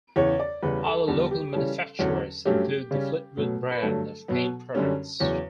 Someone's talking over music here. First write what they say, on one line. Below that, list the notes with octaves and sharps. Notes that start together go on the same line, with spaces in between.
Other local manufacturers include the Fleetwood brand of paint products.
E2 C#3 E3 C#5
D5
E2 C#3 G3 B4
A4
E2 D3 G3 B3 A4
G4
C#3 E3 G3 C#4 A4
E2 D3 F#3 C#4
G2 F#3 A3 C#4 G4
C#3 G3 C#4
B2 F#3 A3
B4
G2 D3 F#3 A3 A4
B2 F#3 B3
F#2 D3 G3 C#4
E2 C#3 F#3 C#5